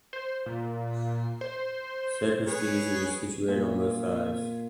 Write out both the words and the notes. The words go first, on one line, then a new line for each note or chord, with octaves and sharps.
Sacristies are situated on both sides.
C5
A#2
C5
G#4 B4 C#5
A#2